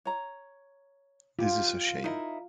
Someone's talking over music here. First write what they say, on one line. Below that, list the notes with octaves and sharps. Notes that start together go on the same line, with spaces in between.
This is a shame.
C#5 A#5
F4 G4
D#4 E4 A#4